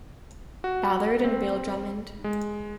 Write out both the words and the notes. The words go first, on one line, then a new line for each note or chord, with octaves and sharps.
Ballard and Bill Drummond.
F#4
C4
G#3